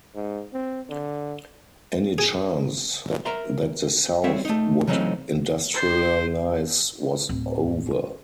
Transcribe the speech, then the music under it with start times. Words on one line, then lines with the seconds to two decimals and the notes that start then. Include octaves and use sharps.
Any chance that the South would industrialize was over.
0.15 G#2
0.53 C4
0.89 D3
2.18 G#4
3.26 A#4 E5 A#5 C6
4.24 G3 C4 C#5 E5
4.45 A3 D#4
4.87 C#3 E3 F#3 A3 C4 D#4
5.75 C5
7.29 D1